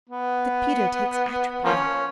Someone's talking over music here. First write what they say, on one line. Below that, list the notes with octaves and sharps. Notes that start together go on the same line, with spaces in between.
'That Peter takes atropine.'
B3
F3 A#3 C#4